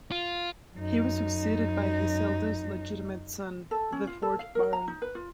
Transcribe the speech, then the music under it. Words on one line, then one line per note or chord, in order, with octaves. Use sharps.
He was succeeded by his eldest legitimate son, the fourth Baron.
F4
F#2 D#4
A4
C#4
F4
A4
F5
A#4
A#5
D#4
B4
F4